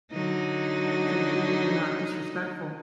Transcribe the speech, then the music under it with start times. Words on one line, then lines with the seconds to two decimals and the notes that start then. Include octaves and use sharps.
so you you're not disrespectful.
0.12 D3 F#3 D#4